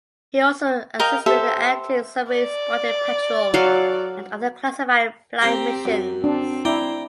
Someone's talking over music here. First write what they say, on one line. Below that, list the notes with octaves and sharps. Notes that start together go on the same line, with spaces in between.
He also assisted in anti submarine spotting patrol and other classified flight missions.
A#4 D#5 F5 G5
G4 A4 C5 E5
D5
F#3 A4 F5
C4 G4 C5 G5 A#5
F#2
C4 D4
E4 D5 G5 A#5